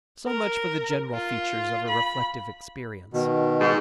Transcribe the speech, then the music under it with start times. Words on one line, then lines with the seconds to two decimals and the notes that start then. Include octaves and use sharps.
So much for the general features of a reflective experience.
0.27 A#4
1.14 F4
1.88 B5
3.13 B2 D#3
3.61 G#2